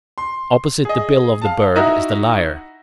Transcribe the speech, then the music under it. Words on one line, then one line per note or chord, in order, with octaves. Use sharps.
Opposite the bill of the Bird is the Lyre.
C6
G#4 D#5
F5 A5
D#4 E4 F#4 D#5 E5 A#5